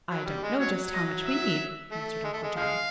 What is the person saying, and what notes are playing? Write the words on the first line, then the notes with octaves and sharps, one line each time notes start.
"I don't know just how much we need," answered Uncle John.
F#3
G3
G#3
F#3 C#5
D#5
E5
A3
G#3
A3
G#3
F3 G#3 F5